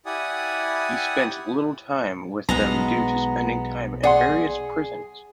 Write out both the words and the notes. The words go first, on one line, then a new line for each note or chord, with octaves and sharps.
He spent little time with them due to spending time in various prisons.
E4 G4 D5 F#5 G#5 D#6
B1 G#3 B3 A#5
G#4 D5 F#5 C6